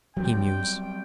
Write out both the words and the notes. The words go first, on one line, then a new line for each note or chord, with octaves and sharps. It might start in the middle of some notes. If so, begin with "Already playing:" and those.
He mused.
F#3 G3 C4 G5